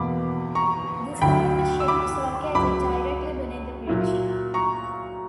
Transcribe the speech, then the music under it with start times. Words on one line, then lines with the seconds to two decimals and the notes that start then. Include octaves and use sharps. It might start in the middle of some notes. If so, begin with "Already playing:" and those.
This part of the ship is located directly beneath the bridge.
Already playing: E2 B2 A#3 B5 D6
0.55 A#5 C#6
1.21 D2 D3 F#3 G5 B5
1.80 E6
1.88 B5 D6
2.55 C#2 C#3 F#3 B5 D6
3.87 A#2 F#3 A#3 E4
4.54 A#5 C#6